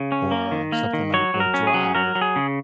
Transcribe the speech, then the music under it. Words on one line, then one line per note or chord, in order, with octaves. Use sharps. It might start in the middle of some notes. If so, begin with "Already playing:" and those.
or something like or drive
Already playing: C#3
C#4
A#3
D#3
A#3
D#3
F#3 C#5
F#3
A#4
C#4
G#4
F#3
F#3 A#4
F#3
G#4
C#3